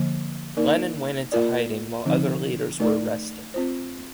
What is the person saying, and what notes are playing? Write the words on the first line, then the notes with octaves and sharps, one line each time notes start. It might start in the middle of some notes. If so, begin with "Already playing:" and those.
Lenin went into hiding, while other leaders were arrested.
Already playing: D3 F3 A#3
A#3 D#4 A#4 D5
A#3 F4 A#4 D5
D3 F3 C4 D#4
A3 D#4 A#4 D5
C4 F4 C5